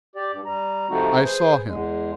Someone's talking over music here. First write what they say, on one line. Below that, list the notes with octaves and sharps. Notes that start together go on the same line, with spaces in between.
I saw him.
G4 D5
G2
G3 A#5
C3 F3 A3 C4 D#4 F#4
G#4 B4 C5
E2 G#3